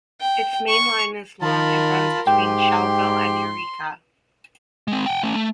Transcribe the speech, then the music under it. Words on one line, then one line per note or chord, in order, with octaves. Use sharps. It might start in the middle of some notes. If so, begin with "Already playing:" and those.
Its main line is long and runs between Schellville and Eureka.
G5
C#6
D#3 F4 A#4 A5 B5
G#2 G4 G5 C6
G#3 C4
F#5 G5
A3 C#4
A3